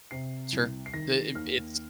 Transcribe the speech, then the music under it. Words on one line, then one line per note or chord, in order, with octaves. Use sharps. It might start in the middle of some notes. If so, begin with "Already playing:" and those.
Sure, it it it's,
C3 C7
C2
C7
D#3 A#6
D#2 F6